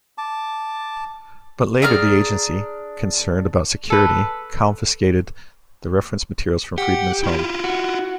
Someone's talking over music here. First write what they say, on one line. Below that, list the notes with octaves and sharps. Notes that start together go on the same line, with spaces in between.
But later the Agency, concerned about security, confiscated the reference materials from Friedman's home.
A5 D6
D4 G#4 A#5 F6
A4 B4
G4 F#5
E4 F4
F#4